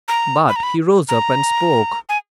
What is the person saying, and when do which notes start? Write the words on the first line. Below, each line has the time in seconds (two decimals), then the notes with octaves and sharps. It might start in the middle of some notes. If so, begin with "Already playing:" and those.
But he rose up and spoke.
0.08 A#5
0.49 B5
0.56 A#5
0.63 B5
1.09 A#5
2.09 G#5